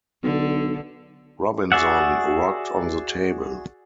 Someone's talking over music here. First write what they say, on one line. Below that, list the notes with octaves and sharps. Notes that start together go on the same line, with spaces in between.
Robinson rocked on the table.
B1 D3
F#4 G#4 D5 E5 F#5